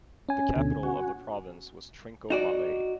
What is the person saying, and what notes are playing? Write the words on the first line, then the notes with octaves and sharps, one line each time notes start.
The capital of the province was Trincomalee.
C#4 G#5
D2 B2 D3
F#4
D#4 F#4 D5